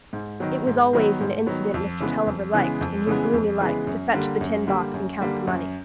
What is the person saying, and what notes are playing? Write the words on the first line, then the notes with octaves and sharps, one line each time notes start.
It was always an incident Mr. Tulliver liked, in his gloomy life, to fetch the tin box and count the money.
G#2
D#3 F#3 B3
G#2
D#3 F#3 B3
G#2
D#3 F#3 B3
F2
C#3 E3 G#3 B3
F2
C#3 E3 G#3 B3
F2
C#3 E3 G#3 B3
F2
C#3 E3 G#3 B3
F#2
D3 G3 A#3
F#2
D3 G3 A#3
F#2
D3 G3 A#3
F#2